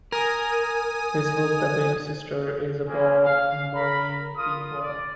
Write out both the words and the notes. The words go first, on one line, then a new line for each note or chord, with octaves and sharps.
His book "The Baby Sister" is about Maureen being born.
A#4 G#5 D#6
A#3 C4 C#4 G#4
F5
A#4 A#5 B5
F4 A#4 D#6
D5